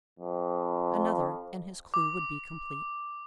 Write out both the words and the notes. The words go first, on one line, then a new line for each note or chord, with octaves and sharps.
Another, and his clue would be complete!
F2
D6